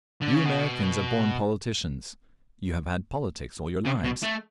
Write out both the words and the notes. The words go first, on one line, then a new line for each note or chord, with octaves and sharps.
You Americans are born politicians; you have had politics all your lives.
D3
C#3
B2
C#3
B2
A3